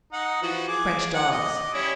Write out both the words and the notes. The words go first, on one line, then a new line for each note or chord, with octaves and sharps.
"French dogs!"
D#4 F#5
E3 F3 F#4
G#4 D6
F#5
D5 D#5
G3 C#4 E4